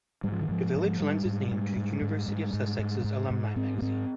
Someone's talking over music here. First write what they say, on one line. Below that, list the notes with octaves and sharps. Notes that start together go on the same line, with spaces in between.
The village lends its name to the University of Sussex's alumni magazine.
G#2 G3
F3
D#3
G#2 F3
G#2
G#3
G#2 G3
G#2
G#2
G#2
G#2
G#2
G#2
G#2
G#2
G#2
G#2 C4
A#3
G#2 C4